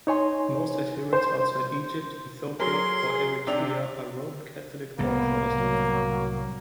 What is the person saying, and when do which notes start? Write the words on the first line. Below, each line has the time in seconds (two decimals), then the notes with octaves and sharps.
Most adherents outside Egypt, Ethiopia and Eritrea are Roman Catholic or Protestant.
0.07 D#4 C#5 G#5 C6
1.13 C5
2.60 F#3 G#4 A#4 C6
3.47 C3 D4 F7
4.99 C2 A2 C#3 A#3 B3
5.56 F#3